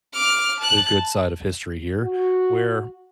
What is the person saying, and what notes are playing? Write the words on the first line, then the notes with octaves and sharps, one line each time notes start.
the good side of history here, where
D6 F6
A5 F#6
F#4